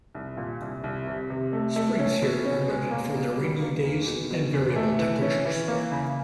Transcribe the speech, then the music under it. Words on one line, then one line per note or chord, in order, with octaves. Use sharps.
Springs here are noted for their rainy days and variable temperatures.
C2
A#2
C2
C2
C3
C3
A3
A3
C#4
B2
C#4
G#3
A#3
B2
G3
A#3
E2
B2
B2
E2
A3
E3
C#4
E3
A#3
C#3